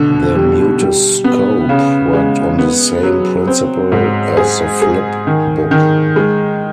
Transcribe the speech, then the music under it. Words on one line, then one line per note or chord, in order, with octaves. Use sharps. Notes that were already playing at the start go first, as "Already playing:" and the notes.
The Mutoscope worked on the same principle as the flip book.
Already playing: B2 D3
G3
G3
B3
C#3
G#3
B3
F#3
C4
G#2
G#4
G#4
D#3
D#3
G#3